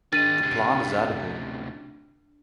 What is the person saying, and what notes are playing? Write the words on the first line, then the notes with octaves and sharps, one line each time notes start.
The plant is edible.
D#3 G#3 D4 A6 D#7
D2 C3